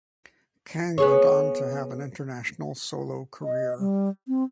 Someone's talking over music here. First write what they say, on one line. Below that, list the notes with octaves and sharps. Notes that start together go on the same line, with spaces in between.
Kang went on to have an international solo career.
B3 G#4 C#5
D#5
G3
C4